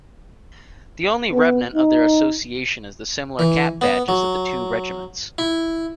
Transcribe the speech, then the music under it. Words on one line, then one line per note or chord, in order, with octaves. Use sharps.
The only remnant of their association is the similar cap-badges of the two Regiments.
B3
D#4
E3
B3
F#3
E4